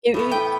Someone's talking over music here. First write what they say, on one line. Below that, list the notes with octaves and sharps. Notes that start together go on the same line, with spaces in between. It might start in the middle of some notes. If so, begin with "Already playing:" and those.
You you
A2 E3 B3
G5